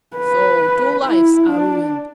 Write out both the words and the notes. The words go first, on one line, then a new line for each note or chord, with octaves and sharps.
So two lives are ruined!
B4
E4
D4